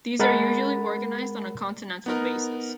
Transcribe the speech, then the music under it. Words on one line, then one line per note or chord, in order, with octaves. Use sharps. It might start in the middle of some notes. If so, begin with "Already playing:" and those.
These are usually organised on a continental basis.
G#3 A#4 F#5 B5 A6
B3 D#4 A#4